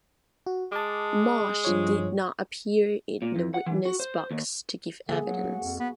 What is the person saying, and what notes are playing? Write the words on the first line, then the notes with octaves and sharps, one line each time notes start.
Marsh did not appear in the witness box to give evidence.
F#4
G#3 A5 D6
G2 F3 C#5
A#2
F2
F#5
E3
F#4
C5
D#2
D3 A#3 G#4 E5
F#3 F#5
F#4
F2
B3